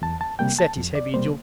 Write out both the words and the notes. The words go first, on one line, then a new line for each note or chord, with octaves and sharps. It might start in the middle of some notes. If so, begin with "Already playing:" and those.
He set his heavy jaw.
E2 A5
A5
C3 G3 A#3 G5
A5
F2
D5
C3 G3 A#3 C5